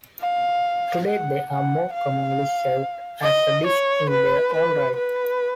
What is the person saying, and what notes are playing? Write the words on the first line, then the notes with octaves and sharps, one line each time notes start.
Today, they are more commonly served as a dish in their own right.
F5
F#5
F#5
F5
D#5
C#5
B4
B4
B4